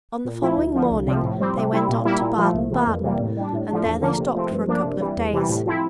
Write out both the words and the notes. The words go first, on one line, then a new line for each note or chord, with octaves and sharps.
On the following morning they went on to Baden-Baden, and there they stopped for a couple of days.
A#2
F3 A3 E4
D2
D3 F3
C2
C3 F3
A2
G3 C4
C3
G3 C4 E4
A#2
G3 A#3 E4
A#2
F3 A3
C2
C3 E3 A#3
F2
C3 E3 G3 A#3
A2
G3 D4
A2
F3 A3 D4
E2
D3 F3 A#3 D4
C3
F3 A3 C4
G2
F3 A#3 D4
C3
E3 G3
E2
C3 E3 G3
A2
F3 C4 E4